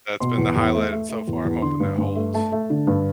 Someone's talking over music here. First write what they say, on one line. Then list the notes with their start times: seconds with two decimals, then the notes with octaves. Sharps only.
that's been the highlight so far. I'm hoping that holds.
0.20 B2 C6
0.38 E2
0.56 E2
0.74 A3
0.92 A3
1.09 A3
1.28 E2
1.45 E2
1.62 D3 C6
1.80 G2
1.98 G2
2.15 A3
2.34 A3 A5
2.52 A3
2.70 D3
2.87 G2